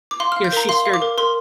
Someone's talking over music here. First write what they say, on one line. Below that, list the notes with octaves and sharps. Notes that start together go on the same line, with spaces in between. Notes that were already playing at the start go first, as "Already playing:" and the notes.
you know, she started
D6
F5 C6
F6
F5
G6
A#4 A#5
F5 C6
F5
D6
A#4
A#4 C6